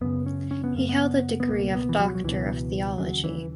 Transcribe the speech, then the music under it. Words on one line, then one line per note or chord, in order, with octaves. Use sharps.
He held the degree of Doctor of Theology.
F#2 C#3 B3
C#4
C#4
B3
F#2 C#3 A#3
B3
B3
C#2 B2 A#3
B3
E3
F#3
F#3
C#2 B2 E3
D#2 C#3 F#3
E3